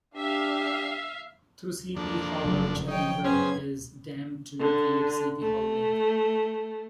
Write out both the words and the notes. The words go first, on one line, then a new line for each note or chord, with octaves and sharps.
Through Sleepy Hollow, Cherry Run is dammed to create Sleepy Hollow Lake.
D4 G4 E5 F5
F2 A#3 D4
F1 C#3 F#3
D#3 F3 D#4 C#5 G5
F#2 C#3 B3 C#4 G#4 C5 G#6
D3
A3